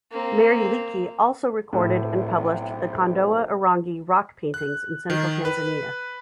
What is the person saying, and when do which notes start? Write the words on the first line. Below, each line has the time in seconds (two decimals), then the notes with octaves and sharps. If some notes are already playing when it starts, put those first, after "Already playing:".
Mary Leakey also recorded and published the Kondoa Irangi Rock Paintings in central Tanzania.
0.11 A#3 C4
1.73 B1 A2 C3
4.54 F#6
5.10 D#3
5.45 B4